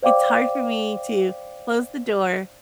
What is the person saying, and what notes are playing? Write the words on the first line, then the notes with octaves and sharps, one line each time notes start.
it's hard for me to close the door.
C5 D5 F5 G5 D6